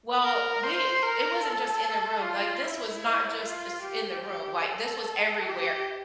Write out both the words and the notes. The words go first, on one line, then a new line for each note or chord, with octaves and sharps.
Well, we it wasn't just in the room, like, this was not just is in the room, like, this was everywhere,
A#4
C5
A#4
A4
F4
E4
F4
G4
G4
A4
G4